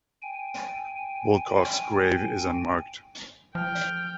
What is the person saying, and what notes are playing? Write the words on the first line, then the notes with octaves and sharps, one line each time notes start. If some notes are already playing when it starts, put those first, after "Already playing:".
Willcocks' grave is unmarked.
G5 G#5
F3 G5 F6